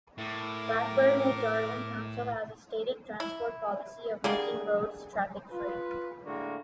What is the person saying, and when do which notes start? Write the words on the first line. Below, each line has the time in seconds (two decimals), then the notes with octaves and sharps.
Blackburn with Darwen Council has a stated transport policy of "making roads traffic free".
0.18 A2 A#4 A#5 D6
3.20 E4
4.24 D3 G3 A#3 G#4
5.51 F4 B4
6.25 A2 D3 G#3 A#3 F#4